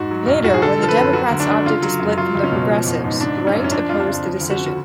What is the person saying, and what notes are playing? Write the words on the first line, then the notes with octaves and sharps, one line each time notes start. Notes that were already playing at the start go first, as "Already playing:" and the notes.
Later, when the Democrats opted to split from the Progressives, Wright opposed the decision.
Already playing: G#2 F#4
F#3
B1
A2 F#4
G#4
D3 A4
F3 A4
B4
F#2
F#3 F#4
D2
D4
D3
C#3 F4
F#3
F#2
F#3 F4
C#2
C#4
B2
F3
A1
G#2
C#3 D4
F#3
C#4
F#2
C#4
F3 D4
F2 F4
D4
C#3 F4
F3
D2
F#4
C#3
F#4